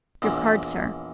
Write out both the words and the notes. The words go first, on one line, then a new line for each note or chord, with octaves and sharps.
"Your card, sir."
A#1 E2